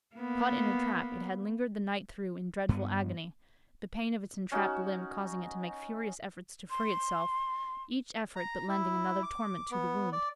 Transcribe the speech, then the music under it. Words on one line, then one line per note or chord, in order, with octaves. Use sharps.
Caught in a trap, it had lingered the night through in dreadful agony, the pain of its entrapped limb causing it to make furious efforts to free itself, each effort but lending another torment to the wound.
A#3 B3
G2 B3
C#4 D#4 F#4
C6
A#5
E4
D6
B3
D5